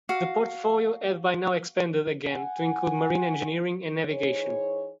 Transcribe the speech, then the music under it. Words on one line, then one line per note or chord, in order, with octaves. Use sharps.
The portfolio had by now expanded again to include marine engineering and navigation.
F#4 F5
F#5 G#5
E3 D#4 G#4 C5 C#5